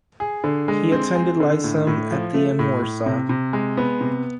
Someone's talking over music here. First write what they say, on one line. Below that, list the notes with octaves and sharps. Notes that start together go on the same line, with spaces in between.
He attended lyceum at the in Warsaw.
G#4
D3
G#3
C4
G#4
D3
A2
A2
F3
A3
A2
A2
C3
C3
G#3
B3
C3